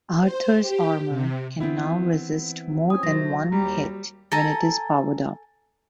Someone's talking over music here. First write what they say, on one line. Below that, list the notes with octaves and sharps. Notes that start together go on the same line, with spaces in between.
Arthur's armor can now resist more than one hit when it is powered up.
C5
G4
C3
E3 B3 C4 E4
C4 C#4 G#5 D#6
C3 F#3 C5 A#6
D#2 G3 G4 A#5
A4 G#5 A#5